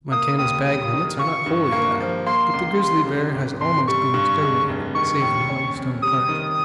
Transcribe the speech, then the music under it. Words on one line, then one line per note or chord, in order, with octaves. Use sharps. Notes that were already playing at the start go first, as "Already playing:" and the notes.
Montana's bag-limits are not wholly bad; but the grizzly bear has almost been exterminated, save in the Yellowstone Park.
A#3 D#6
D#2 D#6
G3 D#6
D#3
F4 C#6
G2
A#3
F3
A#3 C6
C#2
G3
C#3
G#1
G#1 C6
G3 C#6
G2
G#3
F1
D#3 C#6
D#2
C#4
F2
G3 D#6
D#3